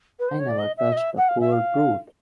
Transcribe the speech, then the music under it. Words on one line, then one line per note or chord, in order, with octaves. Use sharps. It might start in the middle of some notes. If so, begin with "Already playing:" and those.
I never touched the poor brute.
B4
C5
C#5
D5
D#5
E5
D#5
E5
F#5
F5
E5
F5